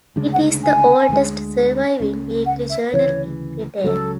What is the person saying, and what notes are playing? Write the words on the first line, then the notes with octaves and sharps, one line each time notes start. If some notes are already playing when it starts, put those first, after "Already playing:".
It is the oldest surviving weekly journal in Britain.
D2 C#3 G#3 D4
F#5
G#5
D2 D3 G#3
C#2 C#3 F#3 C#4
F#5
E5
D2 C#3 E3 C#5
C#2 C#3 F#3 A4